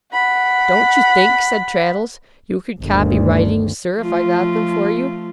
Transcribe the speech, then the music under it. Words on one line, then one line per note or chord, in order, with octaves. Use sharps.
'Don't you think,' said Traddles, 'you could copy writings, sir, if I got them for you?'
F#5 B5
G1 D2 D#3
F3 A3 F4